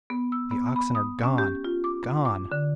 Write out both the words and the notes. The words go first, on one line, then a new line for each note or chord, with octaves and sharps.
The oxen are--gone--gone!'
B3
E6
B3
B5
D#6
C#4
G4
F4
D6
D6
D3